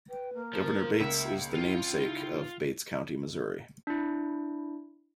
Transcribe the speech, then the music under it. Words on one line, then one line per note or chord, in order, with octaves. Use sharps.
Governor Bates is the namesake of Bates County, Missouri.
B4 G5
A#3
F3 A#4
C#2 E5
E4 F4
D#4 E4
D4 E4